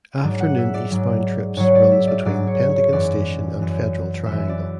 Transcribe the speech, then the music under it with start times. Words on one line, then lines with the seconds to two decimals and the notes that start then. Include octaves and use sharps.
Afternoon eastbound trips runs between Pentagon station and Federal Triangle.
0.23 G#2 F#3 D5
0.41 F#5
0.57 E5
0.74 D5
0.91 G#2 F#3
1.57 G#2 F#3 C#5
1.75 D5
1.92 E5
2.07 D5
2.25 G#2 F#3 D5
2.47 C#5
2.70 C#5
2.92 F#2 E3 D5
3.59 F#2 E3
4.26 F#2 E5
4.31 E3
4.49 D5